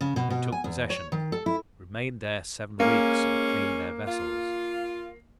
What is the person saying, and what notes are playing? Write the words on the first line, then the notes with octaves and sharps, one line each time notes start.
They took possession, remained there seven weeks, and cleaned their vessels.
C#3
B2
B2
G#5
E2
C#5
D#3
A4
E4
G#3 A#3 C#4
F4